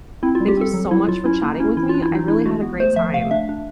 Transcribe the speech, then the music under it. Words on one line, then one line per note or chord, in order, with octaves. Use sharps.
Thank you so much for chatting with me, I really had a great time.
C4 E4
F4
G3
G4
C4 A4
F#3
F#3 E4
F#3 F4
C#4 E4
A#3 D#4
C#4 E4
E3 E4
F4
D4
E4
E3 D#4
D4 E4
G#3 F#4
B3
A3 C5
F3 E5
A3 F5
D4 E5
D4